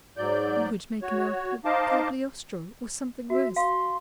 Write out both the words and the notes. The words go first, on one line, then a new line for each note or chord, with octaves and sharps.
You would make him out a Cagliostro or something worse.
G#2 F#3 D5 G6
F#4 C#5
D#4 C5 D#5 F5 A5 D6
F#4 E5
F5 C6